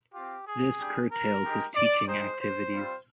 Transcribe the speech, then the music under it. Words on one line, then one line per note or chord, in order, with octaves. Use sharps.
This curtailed his teaching activities.
C4 F4 G4
G#4
G3 D4 G4
A#4
G#3 D#4 G4
D5
G#3 D#4 G4 C5
C5
G3 C4 F4